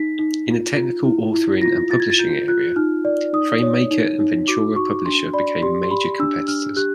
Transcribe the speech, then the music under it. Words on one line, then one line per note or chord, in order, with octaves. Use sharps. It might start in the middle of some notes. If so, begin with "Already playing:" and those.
In the technical authoring and publishing area, Framemaker and Ventura Publisher became major competitors.
Already playing: D#4 B6
D#4
F4
F4
E4
E4
F4 A#6
F4 A6
G#6
A6
F4 G6
F4 F#6
D#4 F6
D5
D#4 D#6
C#5
D#4
D#4
F#4 D6
F#4 C#6
D4 C6
D5 B5
G4 C6
C6
G4 B5
D4 E6
D4 F6
G4 F#6